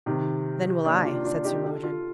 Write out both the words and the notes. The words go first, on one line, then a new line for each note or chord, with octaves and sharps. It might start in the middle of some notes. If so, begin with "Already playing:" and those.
"Then will I," said Sir Modred.
C3 D#3
A#3 D4
D4 F4
D4 F4
D#4 G4
F4 A4
F4 A4